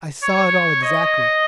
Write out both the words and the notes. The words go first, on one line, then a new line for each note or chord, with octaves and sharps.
I saw it all exactly.
C#5
D#5